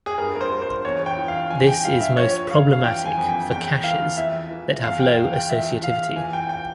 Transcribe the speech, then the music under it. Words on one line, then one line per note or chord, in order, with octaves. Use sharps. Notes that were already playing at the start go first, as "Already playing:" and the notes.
This is most problematic for caches that have low associativity.
G#4
G2 A#4
A#4
C5
G2
C5
E2 C#5
G5
E3
F5
E3 G#5
G5
G2 F5
E5
F3 C#5
G2 F5
F5
E3 G5
G#5
F2
G5
E2 G5
E3 F5
E3 E5
E3
E2 F5
G5
E2 F5
G5
E3 E5
E3 F5
E3 G#5
G5
G5